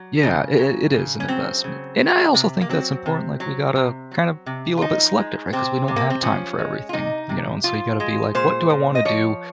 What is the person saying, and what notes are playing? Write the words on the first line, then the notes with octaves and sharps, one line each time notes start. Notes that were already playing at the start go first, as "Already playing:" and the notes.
Yeah, it it it is an investment, and I also think that's important, like, we gotta kind of be a little bit selective, right? 'Cause we don't have time for everything, you know, and so you gotta be like, "What do I wanna do
Already playing: F#3
C#3
F#3
C#3
C#4
F#3 C4
C#3
F#3
C3
A#3
F#3 C4
C3
F#3
C3
F#3
C3
F4
F3 D#4
G#3
C3 C4
C3
A#3
C4
F3 C#4
G#3
F4
C3 D#4
C3
F3 F4
G#3
A#2 C5
A#2
D#5
F3 C#5